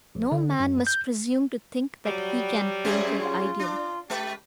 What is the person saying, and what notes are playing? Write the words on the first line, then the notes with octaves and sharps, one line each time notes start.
No man must presume to think that he can paint your ideal.
A#1
D3
F#2
G6
F#3 G3
F#2 C#4 G#4 C5 E5 C6
F4
D4
G#3 G4 B4